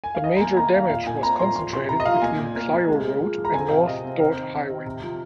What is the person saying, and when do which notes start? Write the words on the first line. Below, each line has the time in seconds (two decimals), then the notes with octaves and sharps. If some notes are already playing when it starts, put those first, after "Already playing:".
The major damage was concentrated between Clio Road and N. Dort Highway.
0.04 G#5
0.15 F5
0.24 D#3 D#5
0.36 A#5
0.40 A#3 G#5
0.57 A#3 A#5
0.74 D#3 F5
0.90 A#2 F5
1.07 A#2 G#5
1.23 C4 A#5
1.39 A#2 C6
1.56 F3 C6
1.72 C3 C6
1.89 C3 A#5
2.00 D#5
2.06 F3 F5
2.22 A#3 G#5
2.39 A#2
2.55 A#3
2.72 A#3
2.88 G#3
3.04 G#3
3.21 F3
3.38 F3
3.45 A#5
3.54 C4 G#5
3.70 C3 F5
3.87 C3 D#5
4.04 C4
4.20 C4 A#4
4.37 D#3
4.54 C4
4.69 D#3
4.86 C3
5.02 F3